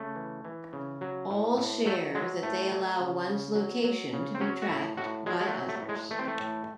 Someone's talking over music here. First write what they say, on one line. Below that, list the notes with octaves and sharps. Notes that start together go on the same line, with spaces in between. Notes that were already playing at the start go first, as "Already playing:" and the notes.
All share that they allow one's location to be tracked by others.
Already playing: C#3 A3
E3
E3
C#3
F#3
A2
A2
F#3 A3
F#3 G#3
A2 A3
F#3
C#3
C#3
F#3
F#3
C#3
C4
F#3 C#4
F#4
A2 E4
A2 F#4
F#3 G#3
G#3
A3
F#3
A3
A2
G#3
E3 A3
C4
A3
A2